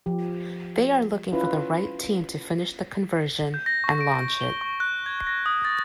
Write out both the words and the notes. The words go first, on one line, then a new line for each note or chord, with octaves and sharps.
They are looking for the right team to finish the conversion and launch it.
F3 G4
C#4 E4 F4 B4
G6
A#6
C#6
D7
A#6
G7
C#6
F#6
G#6
A#6
D#6
A6